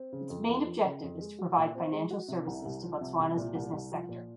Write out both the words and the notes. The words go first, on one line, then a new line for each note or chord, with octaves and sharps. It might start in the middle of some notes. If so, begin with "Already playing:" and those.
Its main objective is to provide financial services to Botswana’s business sector.
Already playing: C4
C#3
F2
F2
F3
C#3
F2
G#3
F#4
A#2
C4
G#3
F#4
C3
C2
C2
F3
C3
C2
A#2
C2
C2
F3
A#2